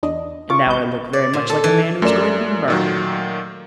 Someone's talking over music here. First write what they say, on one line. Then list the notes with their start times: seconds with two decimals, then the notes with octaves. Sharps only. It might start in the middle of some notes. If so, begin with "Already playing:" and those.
"And now I look very much like a man who is going to be murdered."
0.03 E2 D4 D#5
0.50 F4 C#6 D6
0.67 G#1 B4 G6
1.13 D5
1.33 A#2
1.50 A4
1.64 E3
2.02 F#2 A3 A#4 D5 E7
2.68 A#2 D#3 F#3